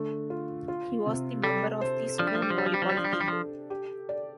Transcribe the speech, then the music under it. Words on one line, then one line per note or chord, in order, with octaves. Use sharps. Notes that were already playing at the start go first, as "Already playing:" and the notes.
He was the member of the school volleyball team.
Already playing: D3 A3
F4
F4
C3
G3 A4
C5
F3 D4
G3
F3
G3
F3
G3 G4
F3
G3
F3
G3
F3 D4
G3
F3
G3
F3 A4
G4
D5